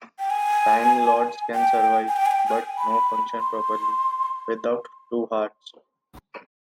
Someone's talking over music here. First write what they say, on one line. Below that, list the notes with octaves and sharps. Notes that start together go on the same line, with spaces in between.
Time Lords can survive, but not function properly, without two hearts.
G5
G#5
G5
G#5
G5
G#5
G5
G#5
B5
C6